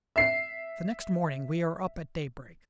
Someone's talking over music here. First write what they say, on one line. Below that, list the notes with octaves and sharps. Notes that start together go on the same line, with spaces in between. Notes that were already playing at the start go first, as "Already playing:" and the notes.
The next morning we are up at daybreak.
E5 C7